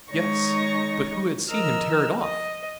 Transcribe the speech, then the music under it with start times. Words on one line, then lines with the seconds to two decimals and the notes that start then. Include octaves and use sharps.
Yes! but who had seen him tear it off?
0.11 D#3 G#3 D#4 C#5 C#6 A#6
1.48 F3 A#4 D#5 E6 F6
2.21 D#5